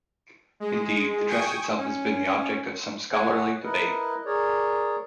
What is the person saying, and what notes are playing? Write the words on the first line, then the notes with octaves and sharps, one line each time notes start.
Indeed, the dress itself has been the object of some scholarly debate.
G#3
G5 G#5 C#6 D#6
C#4
C#5 F#5 G#5
E4 A#4 B4 D#5
G#4 A#4 C#5 D5